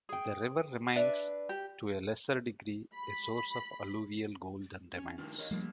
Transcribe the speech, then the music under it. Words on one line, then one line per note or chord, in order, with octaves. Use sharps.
The river remains, to a lesser degree, a source of alluvial gold and diamonds.
G#4 G5
D4 B4 D5 E5
G4
B5
C#4
D#3 D4 F4
A#4 C#5 D#5
F3 G3 A3 A#3 D4